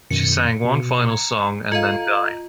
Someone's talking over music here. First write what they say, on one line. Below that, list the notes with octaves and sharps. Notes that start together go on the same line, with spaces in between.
She sang one final song and then died.
F#2 B2 D#3 C#7
B2
A#5 G#6
F4 A4 D#5 F5 A#5